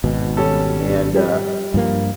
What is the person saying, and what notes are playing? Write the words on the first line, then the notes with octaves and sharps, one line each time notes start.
and, uh
G#1 B2
G3 C#4 A4
G3
G2 F3 A#3